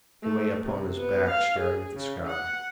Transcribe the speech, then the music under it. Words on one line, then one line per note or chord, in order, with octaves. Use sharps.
He lay upon his back staring at the sky.
A3
C3
B3
F5
G#4
C#3
F#5